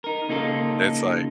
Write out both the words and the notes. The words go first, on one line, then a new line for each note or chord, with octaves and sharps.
It's, like,
D#4 A#4
C#3 A#3 D#4 F4 A4